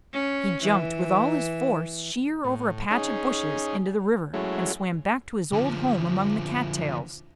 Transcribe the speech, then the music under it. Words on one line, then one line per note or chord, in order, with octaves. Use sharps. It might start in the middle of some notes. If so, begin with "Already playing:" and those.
He jumped with all his force sheer over a patch of bushes into the river, and swam back to his old home among the cat-tails.
C#4
E3
A2
C#4 D#4 G#4
F#3 G#3 A3 C#4 E4
D3 F3